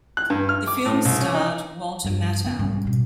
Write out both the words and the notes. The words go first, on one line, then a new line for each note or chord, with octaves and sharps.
The film starred Walter Matthau.
F#6
G2
F6
D6
A2
C2
C#4
D#4
G2
B3
C2 G#2 G3 C#4
B2 D4